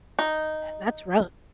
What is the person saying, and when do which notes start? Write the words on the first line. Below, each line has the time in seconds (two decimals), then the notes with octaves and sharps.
ah, that's rough,
0.19 D#4